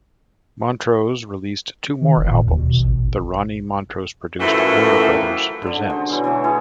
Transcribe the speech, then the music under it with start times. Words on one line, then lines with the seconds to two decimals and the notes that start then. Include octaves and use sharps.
Montrose released two more albums, the Ronnie Montrose-produced Warner Brothers Presents...
2.01 D#3
2.17 F1
2.30 A#2
2.46 D#2
2.57 B2
2.79 A1
4.40 F#2 A2 E3 F3 A3 F#4
5.63 D3 D4
5.90 F#4 G#4 C5 D5
6.09 B2 F#3 E4
6.24 E3 A3 E4 C#6
6.44 E4 G#4 C#5 A5